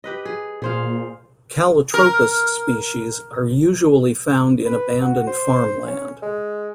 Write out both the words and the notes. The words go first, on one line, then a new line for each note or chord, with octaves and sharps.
"Calotropis" species are usually found in abandoned farmland.
G4 B4 D#5
G#4
A#2 G#4 C5 F5
A#4
B4
F#4
C5
C#4
G#3